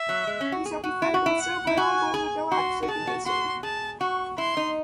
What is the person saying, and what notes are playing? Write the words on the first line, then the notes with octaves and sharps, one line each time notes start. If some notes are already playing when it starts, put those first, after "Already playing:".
We shall be flooded with silver and all gold will go out of circulation.
Already playing: E5
F#3
G#3
C#4
F#4
G#4
F#4
E4
F#4
E4
F#5
E4
F#4 G#5
G#4
F#4 C6
F#4
G#4 A5
F#4
F#4 C6
G#4 A5
F#4 C#6
E4 C6
D#4